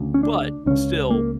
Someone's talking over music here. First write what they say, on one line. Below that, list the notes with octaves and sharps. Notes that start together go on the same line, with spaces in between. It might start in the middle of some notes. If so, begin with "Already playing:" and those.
but still,
Already playing: D2 C#3
C#4
D4
C#2 C#3 C#4
A#3